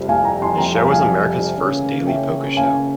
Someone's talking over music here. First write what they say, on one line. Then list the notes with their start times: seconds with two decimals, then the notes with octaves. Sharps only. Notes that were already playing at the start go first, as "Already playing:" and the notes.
His show was America’s first daily polka show.
Already playing: F2 C3 G3
0.08 F5 G#5
0.25 G5 A#5
0.42 G#5 C6
0.58 G5 A#5
0.75 F5 G#5
0.91 F5 G#5
1.57 C#2 C#3 E3 A#3 C#4
2.07 E5 G5
2.57 F5 G#5